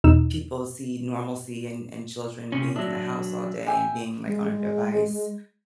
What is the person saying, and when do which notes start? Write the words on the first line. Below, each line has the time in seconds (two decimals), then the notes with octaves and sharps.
people see normalcy and and children being in the house all day and being, like, on a device,
0.04 E2 B2 D#4 E6 E7
2.52 C3 C#4
2.76 F#3 D4 E5
3.67 E5 G5 G#5
4.27 G#3
4.48 G#3